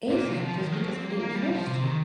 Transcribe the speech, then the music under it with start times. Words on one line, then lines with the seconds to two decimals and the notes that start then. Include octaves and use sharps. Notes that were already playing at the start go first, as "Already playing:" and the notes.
ASAP just because I didn't trust you.
0.09 A#2
0.24 C3
0.41 F3
0.56 D#3
0.72 F3
0.80 A#3
0.88 C4
1.03 A#3
1.19 A#3
1.35 G3
1.50 F3
1.67 C3
1.82 D#3